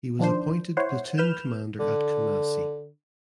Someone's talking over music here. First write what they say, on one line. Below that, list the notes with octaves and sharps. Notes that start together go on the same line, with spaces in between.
He was appointed Platoon Commander at Kumasi.
D#3 F3 D4 C5
E4 C5 C#5 F#5 C6
B4 F6 G6 E7
D3